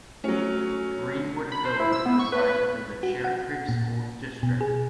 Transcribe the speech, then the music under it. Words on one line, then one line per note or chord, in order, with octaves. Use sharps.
Greenwood Village resides within the Cherry Creek School District.
F#3 A3 C#4 F#4
B5
C5
E4
E6
B3
C#6
B4
B4
F#4
F#5
A#2
B2
G#4